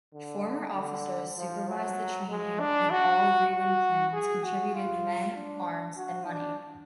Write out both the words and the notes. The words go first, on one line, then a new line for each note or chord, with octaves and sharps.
Former officers supervised the training and all Reewin clans contributed men, arms, and money.
D3
D3
F3
F#3
G#3
D4
F#4
F#4
G#4
F#4
F4
D4
F#4
D4